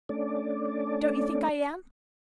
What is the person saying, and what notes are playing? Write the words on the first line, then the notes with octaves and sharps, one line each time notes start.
Don't you think I am?
A3 C#4 D4 D5